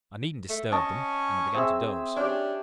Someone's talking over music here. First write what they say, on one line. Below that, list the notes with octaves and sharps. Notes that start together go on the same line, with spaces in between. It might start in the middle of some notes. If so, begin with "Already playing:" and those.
I needn't disturb them; and I began to doze.
A3
C#4 D#5 A5 C#6
C4 G#4 E5
C#4 D4 G4